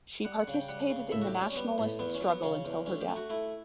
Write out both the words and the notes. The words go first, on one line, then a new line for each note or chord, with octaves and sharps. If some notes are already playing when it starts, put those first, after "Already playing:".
She participated in the nationalist struggle until her death.
G3 F#5
F#5
C#3
G5
G3 F#5
C#3
A2 E5
F#4
G4
G3
C#4
C#4
G3 B3
A2
E2 B3
C#4
F#3
B3
C#3 C#4
E2
D2 C#4
G4
A3
F#4
A3 E4